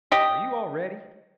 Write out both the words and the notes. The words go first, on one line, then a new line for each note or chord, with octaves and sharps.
Are you all ready?
G4 D#5